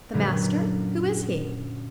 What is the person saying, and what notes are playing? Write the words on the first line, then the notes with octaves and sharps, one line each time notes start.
"The master?--who is he?"
F#2 A#2 D3 F#3 A#3 B3